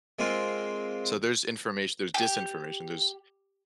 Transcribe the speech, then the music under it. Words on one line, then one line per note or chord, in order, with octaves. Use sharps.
so there's information, there's disinformation, there's
G#3 A#3 C4 F4
G4